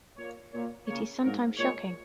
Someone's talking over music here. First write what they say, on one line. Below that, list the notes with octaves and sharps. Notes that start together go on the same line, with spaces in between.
It is sometimes shocking.
A#2 A#3 C#5
A#2 A#3 C#5
C#3 A#3 C#5
G#2 F#3 A#3 A#4
A#2 G#3 C#5